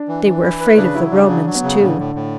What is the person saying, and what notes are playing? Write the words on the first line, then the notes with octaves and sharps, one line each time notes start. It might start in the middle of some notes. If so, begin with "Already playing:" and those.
They were afraid of the Romans too.
Already playing: D4
E3
E3
E4
B4
C#3 D4
F#3 E4
C#3 D4
F#3 D4
F#3
B3
C#3
A2 D3
A2
A2